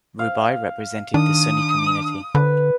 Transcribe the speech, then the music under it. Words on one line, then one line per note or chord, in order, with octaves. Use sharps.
Rubai represented the Sunni community.
F5
D#3 D4 D#6
D3 B4